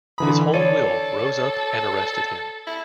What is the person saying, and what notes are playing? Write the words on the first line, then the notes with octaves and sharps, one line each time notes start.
His whole will rose up and arrested him.
D3 E3 B5 D#6
A4 C#5 D5 D#7
E4